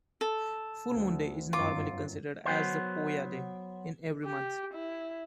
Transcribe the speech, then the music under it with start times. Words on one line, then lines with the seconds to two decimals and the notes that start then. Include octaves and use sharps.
Full moon day is normally considered as the poya day in every month.
0.21 A4
0.91 D2
1.53 G1 F#2 F4 D6
2.45 F#3 B3 C5
4.25 G4
4.74 E4